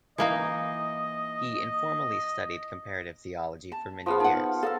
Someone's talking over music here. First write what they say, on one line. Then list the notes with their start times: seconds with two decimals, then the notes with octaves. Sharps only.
He informally studied comparative theology for many years.
0.18 E3 A#3 D#4 D#5
3.72 A5
4.06 F3 B3 F4 G#4 F5
4.20 D#4 A#4 F#5 A5
4.63 A4 F5 A#5 E6